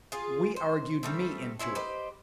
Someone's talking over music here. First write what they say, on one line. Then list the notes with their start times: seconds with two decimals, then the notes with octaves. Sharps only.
We argued me into it.
0.12 F4 G#4
0.56 C5
1.03 G3 A3 C4
1.59 C#4 E4 C5
1.75 G4 B4 C5 D#5